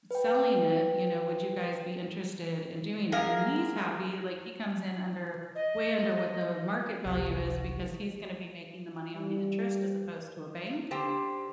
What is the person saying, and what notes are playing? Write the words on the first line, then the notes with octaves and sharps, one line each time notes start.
selling it, you know, would you guys be interested in doing it?" And he's happy, like, he comes in under way under what the market value is because he's gonna be making the money on the interest as opposed to a bank.
B4 G5
F#2 G#4 A#4 F5
D#5
G#1 C#2 C3 G4 F#5 C#6
G3
D3 G4 C5 G5